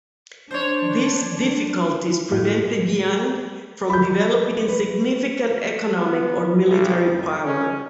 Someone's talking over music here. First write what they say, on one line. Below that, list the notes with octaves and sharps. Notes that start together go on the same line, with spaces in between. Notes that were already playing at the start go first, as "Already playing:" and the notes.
These difficulties prevented Jiang from developing significant economic or military power.
D4 C5 C#5
A2
B5 G6
B4
B3
B1
F1
C#4